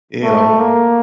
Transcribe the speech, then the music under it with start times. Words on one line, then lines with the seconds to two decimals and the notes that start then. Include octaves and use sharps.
you know,
0.23 A3
0.60 A#3